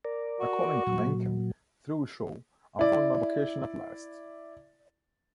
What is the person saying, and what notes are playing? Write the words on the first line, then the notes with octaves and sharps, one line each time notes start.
According to Mencken: Through Shaw, I found my vocation at last.
A#4 D5
F#4
A#2 F#3
E4 D5